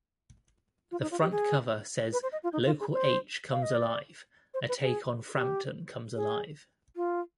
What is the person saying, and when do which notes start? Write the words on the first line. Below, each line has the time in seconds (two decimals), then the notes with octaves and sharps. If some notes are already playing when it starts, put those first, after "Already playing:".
The front cover says Local H Comes Alive!-a take on Frampton Comes Alive!
0.91 F4
1.02 D#4
1.11 F4
1.22 G4
1.31 G#4
2.13 B4
2.23 C5
2.32 D#5
2.44 F4
2.53 D#4
2.66 F4
2.80 G#4
2.93 C5
3.51 F5
3.63 D#5
3.74 D5
4.54 C5
4.68 B4
4.82 G#4
5.35 G4
6.16 G#4
6.96 F4